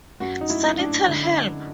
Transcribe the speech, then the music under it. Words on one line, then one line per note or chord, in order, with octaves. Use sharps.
Sentinel Help!
F#2 F#4
D#4
E4
F#2
D4
D3